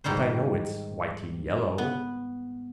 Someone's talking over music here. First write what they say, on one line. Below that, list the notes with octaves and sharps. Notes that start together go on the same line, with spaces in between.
But I know it's whitey yellow.
G#2 D#3 G3 C5
B3